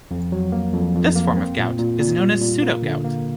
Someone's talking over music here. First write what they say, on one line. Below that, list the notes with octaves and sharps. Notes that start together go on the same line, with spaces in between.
This form of gout is known as pseudogout.
F2
F#3
A#3
F2
F2
A#3
C4
A#2
A#2
A#2
G3
A#2
A#3
D3
A#3